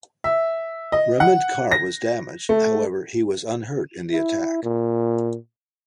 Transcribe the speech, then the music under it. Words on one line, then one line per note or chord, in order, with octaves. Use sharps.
Rehman car was damaged however he was unhurt in the attack.
E5
D#5
F#5
A#6
A3
E4
A#2